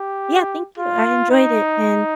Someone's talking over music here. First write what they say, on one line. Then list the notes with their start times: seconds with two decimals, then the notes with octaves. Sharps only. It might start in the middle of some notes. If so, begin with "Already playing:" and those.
Yeah, thank you, I enjoyed it, and
Already playing: G4
0.78 F4
1.31 D#4